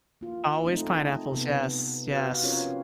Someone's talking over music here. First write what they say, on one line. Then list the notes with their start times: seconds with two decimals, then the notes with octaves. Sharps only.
Always pineapples, yes, yes.
0.21 A#3 F4
0.64 A3 C4 D#4 F4
1.32 C3 B3
2.11 F#4 G4 B4 F5
2.43 C4 C#4 F4 A#4 C#5